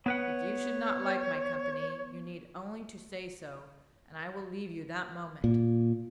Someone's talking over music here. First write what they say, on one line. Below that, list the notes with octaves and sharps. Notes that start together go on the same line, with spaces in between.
If you should not like my company, you need only to say so, and I will leave you that moment.
B3 B4 C#5 F#5
A#2